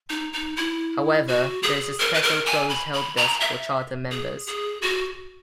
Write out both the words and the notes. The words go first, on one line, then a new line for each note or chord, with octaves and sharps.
However, there is a special closed helpdesk for Charter Members.
D#4
D#4
E4
F#4
G#4
A#4
B4
A#4
G#5
B5
B5
A#5
E5
G#4
G#4
F#4